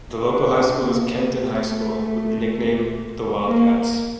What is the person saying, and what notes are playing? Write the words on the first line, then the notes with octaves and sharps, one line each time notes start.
The local high school is Kenton High School, with the nickname the "Wildcats".
D4
A#3
A3
A#3